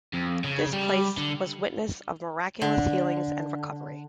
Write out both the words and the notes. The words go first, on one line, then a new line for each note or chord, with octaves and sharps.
This place was witness of miraculous healings and recovery.
F2
C#3
G3
D3
D3